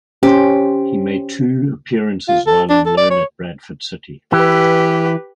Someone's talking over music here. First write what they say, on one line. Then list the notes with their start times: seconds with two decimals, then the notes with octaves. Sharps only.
He made two appearances whilst on loan at Bradford City.
0.23 C#4 G4 C5
2.28 F4
2.47 A4
2.70 D4
2.86 A4
2.97 D5
3.11 C#5
4.33 E3 G4 B4